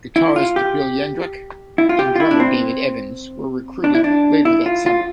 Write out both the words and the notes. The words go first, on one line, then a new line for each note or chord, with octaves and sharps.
Guitarist Bill Yendrek and drummer David Evans were recruited later that summer.
E4
F4
G4
E4
F4
G4
F4
E4
D4
C4
D4
E4
D4
E4
F4
F4